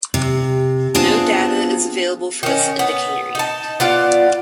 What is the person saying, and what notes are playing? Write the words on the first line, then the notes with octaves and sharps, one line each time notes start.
No data is available for this indicator yet.
C3
B3 C4 D4 F4 G#4 A5
D#3 C#4
B3
D#4 A5
B3 F4 D5